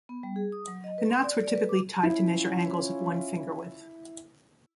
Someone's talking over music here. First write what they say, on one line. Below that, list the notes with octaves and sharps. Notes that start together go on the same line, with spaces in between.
The knots were typically tied to measure angles of one finger-width.
B3
G3
G#4
D#6
F#3
D#5
B4
C6
D5
D5
B4
D6
C#4 E4 F4